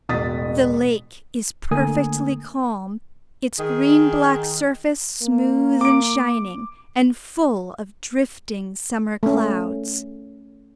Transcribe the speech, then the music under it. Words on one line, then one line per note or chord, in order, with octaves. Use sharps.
The lake is perfectly calm, its green-black surface smooth and shining, and full of drifting summer clouds.
E1 A1 B2 D#6 A6 B6
D3 A3 A#3 A#4 G#5 D#6
D#3 G#4
A#3
D6 D7
A3 C#4